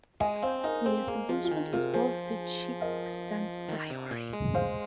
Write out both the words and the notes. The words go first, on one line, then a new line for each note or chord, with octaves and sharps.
The establishment was close to Chicksands Priory.
G#3 D#5 G#5
C4 C5 F5
D#4 A#4 D#5
C4 G#4 C5
A#3 G#4
F3 F4
F4
D#3 G#4
C3 F4 A#4
F3 G#4 C5
A#4 D#5
D#3
C3
A#2
G#3
C5 F5